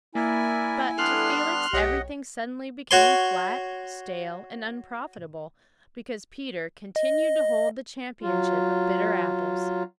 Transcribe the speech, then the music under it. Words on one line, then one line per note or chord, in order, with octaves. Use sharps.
But to Felix everything suddenly became flat, stale, and unprofitable, because Peter continued to hold the championship of bitter apples.
A#3 E4 A#4 D5 E5 G#5
G3 B3 D4 A4 C6 F6 F#6
B1 G4 C#5 D#5 F#5 G5
F#4 C#5 C6
D#5
F#3 F4